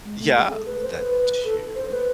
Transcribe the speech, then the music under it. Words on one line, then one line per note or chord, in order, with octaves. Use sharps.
Yeah, that too.
G#3
A3
G#4
A4
B4
C5
B4
A4
C5
B4